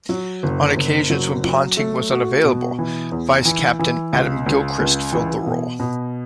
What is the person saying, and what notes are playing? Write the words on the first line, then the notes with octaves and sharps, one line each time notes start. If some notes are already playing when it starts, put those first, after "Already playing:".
On occasions when Ponting was unavailable, vice-captain Adam Gilchrist filled the role.
F#3
F#1
F#1
F#3
F#3
A3
F#4
B2
E3
E2
E3
E3
C#2
C#2
C#2
E3
B2
B2